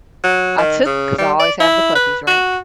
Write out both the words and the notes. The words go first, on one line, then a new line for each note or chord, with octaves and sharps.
I took, 'cause I always have the puppies, right?
F#3
D#3
C#3
G3
D5
E4
B4
F#4